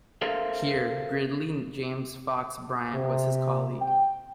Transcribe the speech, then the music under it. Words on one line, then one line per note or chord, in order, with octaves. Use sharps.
Here Gridley James Fox Bryant was his colleague.
A4 A#4 C5 E5 F5
C3
G5